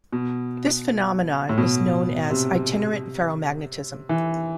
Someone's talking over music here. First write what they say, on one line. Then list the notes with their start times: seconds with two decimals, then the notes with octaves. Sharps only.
This phenomenon is known as "itinerant ferromagnetism".
0.13 B2
1.49 A2
1.58 B2
2.30 C3
4.09 E3